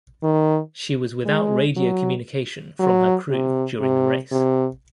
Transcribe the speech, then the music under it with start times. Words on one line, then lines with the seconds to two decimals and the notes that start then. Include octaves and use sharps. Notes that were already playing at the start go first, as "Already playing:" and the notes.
She was without radio communication from her crew during the race.
0.23 D#3
1.26 G#3
1.77 F#3
2.79 F#3
3.30 C3
3.81 C3
4.31 C3